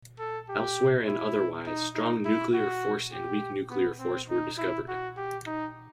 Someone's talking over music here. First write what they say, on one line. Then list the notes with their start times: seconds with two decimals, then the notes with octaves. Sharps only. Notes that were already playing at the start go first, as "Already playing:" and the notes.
Elsewhere and otherwise, strong nuclear force and weak nuclear force were discovered.
0.19 A4
0.49 G4
1.07 E4
1.66 D#4
1.95 D#4
2.25 E4
2.54 F#4
3.13 G4
3.70 B3
3.99 C4
4.29 D#4
4.58 E4
4.88 F#4
5.17 G4
5.46 D#4